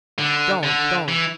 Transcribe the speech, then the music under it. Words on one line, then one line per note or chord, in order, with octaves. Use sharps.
'Don't, don't!
D3
D3
E3